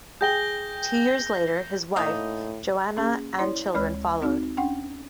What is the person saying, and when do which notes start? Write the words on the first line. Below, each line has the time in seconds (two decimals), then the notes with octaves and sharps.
Two years later, his wife Johanna and children followed.
0.21 G#4 G5 G6 A#6 G7
1.96 A2 A#3 D#4
2.96 A#3 C#4 G#4
3.39 E4 C#5 D5 C6
3.75 D2 G#3 C#5 B5 F6
4.22 C4 D#4 F#4
4.57 C#4 D4 F#5 G5